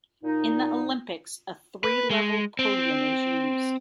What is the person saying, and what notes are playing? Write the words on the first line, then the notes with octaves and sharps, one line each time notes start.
In the Olympics a three-level podium is used.
A#2 D#4
B4
G#3
C4